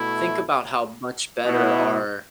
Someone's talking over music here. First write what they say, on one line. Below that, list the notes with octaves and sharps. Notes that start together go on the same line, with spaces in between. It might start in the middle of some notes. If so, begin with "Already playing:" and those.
Think about how much better our
Already playing: B2 A3 E4
B2 B3 E4